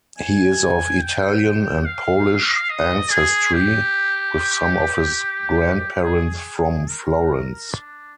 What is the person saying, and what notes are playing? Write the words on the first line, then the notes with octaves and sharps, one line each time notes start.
He is of Italian and Polish ancestry with some of his grandparents from Florence.
G#5
G5
F5
D#5
G#4
G4
G#4
A#4
D4